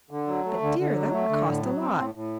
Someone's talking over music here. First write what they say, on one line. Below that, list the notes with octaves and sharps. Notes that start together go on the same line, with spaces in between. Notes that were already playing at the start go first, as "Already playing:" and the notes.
But, dear, that would cost a lot!
D3
F#3
A3
D3
D3
F#3
A3
D3
A2
F#3
C4
A2
A2